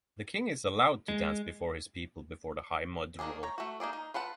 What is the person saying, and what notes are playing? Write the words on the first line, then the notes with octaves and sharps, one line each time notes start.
The king is allowed to dance before his people before the high mud wall.
G#3
D#3 A#3 C#4 D4 G#4
C#5 A#5
A3 F#4
A#3 D#4 G#4 D5
D#4
F4 B4 F#5 A5